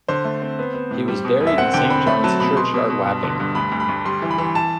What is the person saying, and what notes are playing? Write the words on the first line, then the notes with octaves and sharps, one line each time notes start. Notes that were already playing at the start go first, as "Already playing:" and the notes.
He was buried in Saint John's Churchyard Wapping.
D3 C5
A3
C4
B3
B3
A2
G3
B2
E1
E5
C4 F#5
D3 G5
C4 B5
A3 B5
F#3 A5
B2 B5
B2 C6
B2
B2
G2
D3
G2
D2 B5
D2
B5
D2
G3 C6
E3
B5
E3
A5